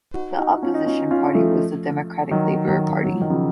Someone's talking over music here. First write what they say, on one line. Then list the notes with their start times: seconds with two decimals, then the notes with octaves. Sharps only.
The Opposition party was the Democratic Labour Party.
0.14 D#4 F#4
0.38 D#4 F#4
0.57 D#4
0.62 C#4 F4
0.74 D#4
0.86 C#4 F4
1.11 C#4 F4
1.35 F3 A3
2.31 D#3 F#3
2.68 D#3 F#3
3.04 F#3
3.13 F3
3.21 D#3
3.30 C#3 F3